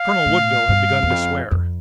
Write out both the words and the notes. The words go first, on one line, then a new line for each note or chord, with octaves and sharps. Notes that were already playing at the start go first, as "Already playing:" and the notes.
Colonel Woodville had begun to swear.
Already playing: F5
A2
G2
E2
F2
F2